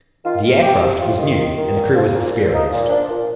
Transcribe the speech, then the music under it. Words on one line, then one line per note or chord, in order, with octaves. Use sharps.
The aircraft was new and the crew was experienced.
D#3 F4
D#3
C3 G4
C3
C3 F4
D#3
D#3
D#3
A#2
F3
A#2
A#2
F3 D#4
A#2
F3 D4
A#2